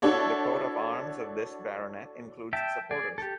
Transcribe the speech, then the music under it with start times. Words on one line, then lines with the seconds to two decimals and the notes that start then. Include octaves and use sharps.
The coat of arms of this baronet includes supporters.
0.02 D4 E4 F#4 A4 C#5 D5
2.53 E5 G5 A5
2.91 G#4 D5
3.18 G4 A4